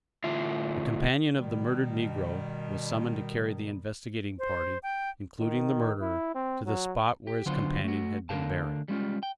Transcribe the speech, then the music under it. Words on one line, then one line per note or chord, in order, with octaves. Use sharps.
The companion of the murdered negro was summoned to carry the investigating party, including the murderer, to the spot where his companion had been buried.
A2 D3 F4 E5
B2 D#3 G3
C5
G5
D#3
E4
C4
F#3
G4
D3 F#3 B3 D4 F4 C5
A3 F#4
D2 D3 E3 A#4 F5 A5
G3 G#3 C#4 F4
G5